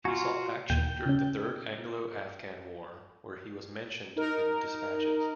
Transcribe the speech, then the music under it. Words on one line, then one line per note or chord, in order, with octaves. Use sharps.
He saw action during the Third Anglo-Afghan War, where he was Mentioned in Despatches.
F4 F#4 G#5 A#5
D#2 A#2 G5
C#3 C#4
D#4 A#4